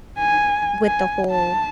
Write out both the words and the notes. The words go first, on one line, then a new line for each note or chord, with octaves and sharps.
with the whole
G#5
G#5
A5